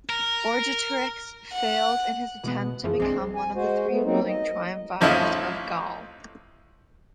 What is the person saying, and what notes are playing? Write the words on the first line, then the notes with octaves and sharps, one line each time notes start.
Orgetorix failed in his attempt to become one of three ruling triumvirs of Gaul.
A#4
F#5
B2 E3 G#3 B3
F#2 E3 F3 G#4
A#1 C3 G#3 C4 D4
G#5
G#3 F#4 C5
A3 B3
F#3 A#3 C4 D#4
D#5
A1 F2 F3 C#4 D#4 E4